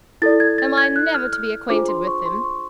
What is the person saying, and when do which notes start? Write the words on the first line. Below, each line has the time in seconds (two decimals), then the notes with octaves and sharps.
Am I never to be acquainted with him?
0.22 E4 A4 D5 A6
0.40 G#6
0.58 A6
0.78 G#6
0.96 F#6
1.14 F6
1.33 F6
1.70 D4 F4 G#4 C5 D6
1.89 C6
2.07 C#6
2.26 C6
2.44 C#6